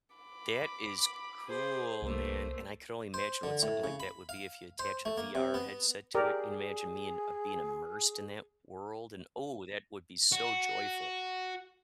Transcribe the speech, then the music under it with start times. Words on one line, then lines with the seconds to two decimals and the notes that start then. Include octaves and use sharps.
That is cool, man, and I could only imagine what something like that would be if you attach a VR headset to it. You imagine me, and, uh, being immersed in that world, and, oh, that would be so joyful.
0.16 B5 D6
1.46 G#4 C5
2.02 C2 A3 A#3 C5
3.14 C5
3.43 D3
3.63 A2
3.84 C#3
4.00 B5
4.29 F5
4.79 C5
5.05 A3
5.18 A#3
5.35 C3
5.54 B3
6.15 G4 G#4 A#4 D5
10.33 F#4